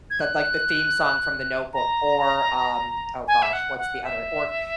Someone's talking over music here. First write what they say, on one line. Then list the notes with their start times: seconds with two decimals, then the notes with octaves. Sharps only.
but, like, the theme song from The Notebook or, um, oh, gosh, what's the other one, or c
0.10 G#6
0.20 F#6
1.73 A#5
3.27 G#5
3.42 E5
3.53 F#5
3.78 F#5
4.04 E5